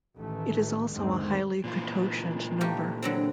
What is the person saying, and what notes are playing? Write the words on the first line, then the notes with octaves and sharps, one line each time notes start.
It is also a highly cototient number.
A1 D#3 E3 A3
G1 D#2 D3 D#3 G#3 C4
A#2 E3 F4
A3 A#3 G4
D3 F#3 C4